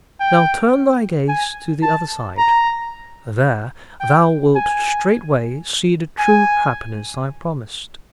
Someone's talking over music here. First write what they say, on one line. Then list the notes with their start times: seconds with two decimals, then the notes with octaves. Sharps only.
Now turn thy gaze to the other side; there thou wilt straightway see the true happiness I promised.'
0.20 G5
1.29 G#5
1.83 A5
2.38 A#5
4.00 G5
4.56 G#5
6.19 G#5